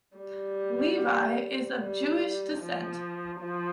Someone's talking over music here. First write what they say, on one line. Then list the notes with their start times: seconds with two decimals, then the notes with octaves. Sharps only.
Levi is of Jewish descent.
0.17 G3
1.78 G3
2.59 F3
3.40 F3